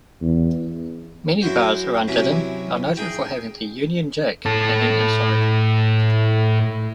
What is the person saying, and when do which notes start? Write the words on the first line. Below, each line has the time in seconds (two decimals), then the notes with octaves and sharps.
Many bars around Didim are noted for having the Union Jack hanging inside.
0.21 E2
1.41 F#2 E4 F#4 C5
2.08 C3 E3 F#3 C#4 E4
2.97 D#4 G#4 G5
4.46 A2 A4